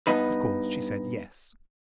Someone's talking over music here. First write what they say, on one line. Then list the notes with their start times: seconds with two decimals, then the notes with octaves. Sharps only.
Of course she said, Yes.
0.07 G2 B3 D#4 B4